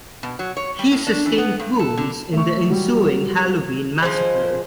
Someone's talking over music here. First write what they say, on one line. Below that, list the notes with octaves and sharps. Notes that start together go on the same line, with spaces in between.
He sustained wounds in the ensuing Halloween Massacre.
B2
F#3
C#5
G3
A2
D4
E3
B3
G2
A4
D3
A3 C#6
F#3 G3 G4
F3 G#3 C5